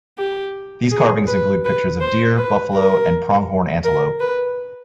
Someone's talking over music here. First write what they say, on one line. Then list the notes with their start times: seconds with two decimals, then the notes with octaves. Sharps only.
These carvings include pictures of deer, buffalo, and pronghorn antelope.
0.18 G4
0.91 G#4
1.27 B4
1.65 B4
2.01 C5
2.38 B4
2.74 A#4
3.84 A#4
4.20 B4